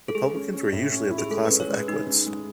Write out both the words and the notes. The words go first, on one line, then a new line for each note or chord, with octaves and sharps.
The publicans were usually of the class of equites.
A4
G#3 G#4
C#4
C#4
A2
C#4
E4
G#4
G#3 A4
C#4 B4
C#5
G#3
B4
G#3 D#4
C#4
G#3